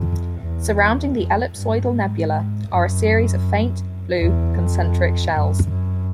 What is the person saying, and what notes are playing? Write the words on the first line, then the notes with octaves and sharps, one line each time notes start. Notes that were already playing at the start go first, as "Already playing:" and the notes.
Surrounding the ellipsoidal nebula are a series of faint, blue concentric shells.
Already playing: F2
E2
F2
G2
G#2
F#2
E2
F2
F#2
F#2